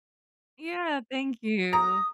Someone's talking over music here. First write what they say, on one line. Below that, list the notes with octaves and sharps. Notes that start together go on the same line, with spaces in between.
Yeah. Thank you.
A#5 D#6